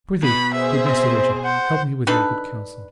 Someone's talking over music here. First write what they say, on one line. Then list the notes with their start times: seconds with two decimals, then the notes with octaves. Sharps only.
Prithee, good Master Richard, help me with your good counsel.
0.23 B2 B5
0.54 G#4 C5 E5
0.85 C4
1.44 C5 F#5
2.07 D4 D#4 A4 B4